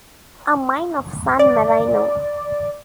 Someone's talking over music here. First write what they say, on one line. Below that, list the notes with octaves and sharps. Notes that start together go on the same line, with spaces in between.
Amine of San Marino.
D5